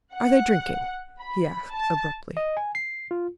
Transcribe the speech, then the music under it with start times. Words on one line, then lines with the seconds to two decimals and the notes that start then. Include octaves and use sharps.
"Are they drinking?" he asked abruptly.
0.14 F#5
1.20 B5
1.70 A5
2.37 D#5
2.57 G#5
2.75 C7
3.11 F4